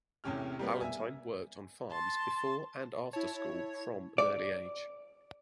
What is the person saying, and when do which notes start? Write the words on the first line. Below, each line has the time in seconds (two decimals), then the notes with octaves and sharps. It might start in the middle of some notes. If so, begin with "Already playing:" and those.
Ballantine worked on farms before and after school from an early age.
0.24 E2 A2 C3 C#4 G4 F6
0.59 G3 A#3 B3
0.81 E5 G#5
1.91 A5 C6
3.13 E4 C#5 A5
4.18 D5